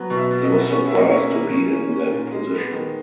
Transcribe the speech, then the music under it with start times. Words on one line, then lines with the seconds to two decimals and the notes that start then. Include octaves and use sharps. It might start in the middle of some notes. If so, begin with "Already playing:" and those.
He was surprised to be in that position.
Already playing: F#3 B3
0.10 B2
0.17 E5
0.30 B2
0.44 D#5
0.51 B3
0.70 C#4 C#5
0.87 A#3 E5
0.98 D#5
1.10 C#4 C#5
1.31 A#3
1.51 C#4
1.72 C#4
1.92 C#4
2.11 A#2
2.32 G#3
2.52 B3
2.72 D#3